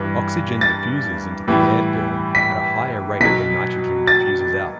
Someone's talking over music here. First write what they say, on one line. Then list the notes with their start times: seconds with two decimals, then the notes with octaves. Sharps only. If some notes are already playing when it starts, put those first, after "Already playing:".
Oxygen diffuses into the air film at a higher rate than nitrogen diffuses out.
Already playing: G2 E3 G3
0.61 A6
1.48 A2 E3 G3
2.35 B6
3.20 B2 F#3 B6
4.07 A6